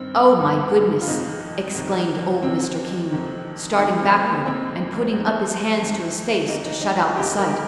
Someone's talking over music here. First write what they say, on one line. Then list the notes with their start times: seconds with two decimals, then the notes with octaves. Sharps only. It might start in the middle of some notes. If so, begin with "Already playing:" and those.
"Oh, my goodness!" exclaimed old Mr. King, starting backward and putting up his hands to his face to shut out the sight.
Already playing: G2 D#3 C4
0.40 G2 D#3
1.01 F4
1.08 F2 C3 D#3 D#4
1.75 F2 C3 D#3
2.43 F2 C3 D#3 C4
3.11 F2 C3 D#3
3.78 F2 D#3 D#4
4.00 C4
4.24 A#3
4.46 F2 D#3 C4
5.13 F2 D#3
5.81 F2 D#3
6.48 F2 D#3 D#4
6.65 D#4
6.82 D#4
6.99 F4
7.16 F2 D#3 G4
7.39 A#4